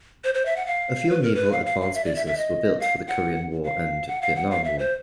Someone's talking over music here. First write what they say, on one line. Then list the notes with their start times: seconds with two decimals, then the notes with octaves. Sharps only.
A few Naval Advance Bases were built for the Korean War and Vietnam War.
0.24 C5
0.34 C5
0.46 E5
0.56 F#5
0.66 F5
1.09 B4
1.23 A#4
1.35 B4
1.52 F5
1.66 F5
1.81 F5
1.95 E5
2.05 D5
2.16 E5
2.26 E5
2.37 D#5
2.80 F5
3.08 F#5
3.65 F5
4.08 F#5
4.22 F5
4.36 F#5
4.51 F5
4.64 E5
4.79 C5